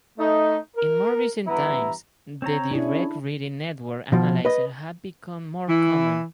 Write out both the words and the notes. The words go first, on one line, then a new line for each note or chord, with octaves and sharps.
In more recent times the direct reading network analyzers have become more common.
A3 D#4
A#4
G2 E3 B3 E4 A#5
C4 C#5 A#5
C#4 D4 E4 G#4 C#5
B2 F3
B4 D#5
E3 E4